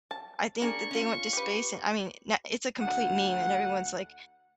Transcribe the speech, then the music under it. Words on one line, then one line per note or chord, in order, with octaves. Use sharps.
I think that they went to space and I mean, na it's a complete meme, and everyone's like
A5
A#3 D4 G#4 G#5 A#5 C#6
C#4 F4
G4 B4
D2 F#5